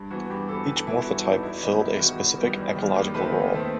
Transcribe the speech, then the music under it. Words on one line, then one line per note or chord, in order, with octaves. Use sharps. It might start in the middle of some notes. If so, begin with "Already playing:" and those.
Each morphotype filled a specific ecological role.
Already playing: G2
E3 B3 F#4
G2 G4
E3 B3 A4
G2 B4
E3 B3 E4
G2 F#4
E3 B3 D#4
E2 E4
D#3 G3 B3 D#4
E2 E4
D#3 G3 B3 F#4
E2
D#3 G3 B3
E2
D#3 G3 B3
D#2 G4
D#3 A3 C4 B4
D#2
D#3 A3 C4